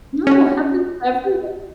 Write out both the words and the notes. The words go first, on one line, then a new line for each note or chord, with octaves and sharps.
No, happens to everyone.
C#4 F#4